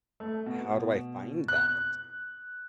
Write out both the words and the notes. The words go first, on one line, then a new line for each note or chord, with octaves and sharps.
"How do I find that?"
A3
B2
F#6